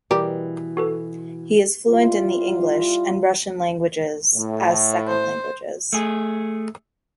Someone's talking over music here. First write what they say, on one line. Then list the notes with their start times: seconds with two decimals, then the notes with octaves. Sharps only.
He is fluent in the English and Russian languages as second languages.
0.11 B2 E3 G3 G4 A#4
0.77 F#4 A4 B4
1.88 G3 E4 F4
4.34 A2
5.08 C5
5.93 A3 G#4